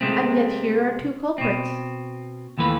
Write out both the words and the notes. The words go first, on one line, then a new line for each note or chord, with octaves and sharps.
"And yet here are two culprits."
C3 G#3 A3 C4
B2 C4
D#2 E3 A3 B4